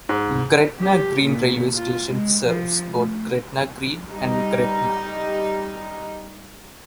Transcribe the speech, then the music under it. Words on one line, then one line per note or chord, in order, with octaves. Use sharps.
Gretna Green railway station serves both Gretna Green and Gretna.
G#2
G4
A#2
F4
G#3
F3
A3
G3 D#4